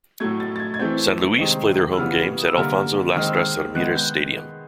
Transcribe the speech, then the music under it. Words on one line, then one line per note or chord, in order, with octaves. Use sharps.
San Luis play their home games at Alfonso Lastras Ramirez Stadium.
A2 F#3 A3 G#6
A6
A6
G#6
G#6
E3 A3 C4 G6
C3 D#3 G#3 C4
E6
C#3 E3 G3 B3 F6
D#6
E6
D3 G3 A#3 F6
D#3 G#3 C4 F6
E6
F6
D#3 G#3 B3 F#6
G6